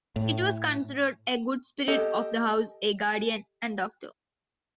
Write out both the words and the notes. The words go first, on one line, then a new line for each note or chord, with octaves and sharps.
It was considered a good spirit of the house, a guardian and doctor.
A2
G4 A4 D#5